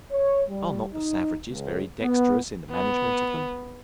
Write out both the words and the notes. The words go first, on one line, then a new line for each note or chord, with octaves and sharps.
Are not the savages very dexterous in the management of them?
C#5
G3
D#4
C#2
B3
B3